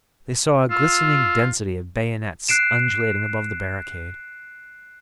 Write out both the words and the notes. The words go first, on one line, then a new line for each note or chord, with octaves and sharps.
They saw a glistening density of bayonets undulating above the barricade.
F4 E6
F#6 C7 D7 E7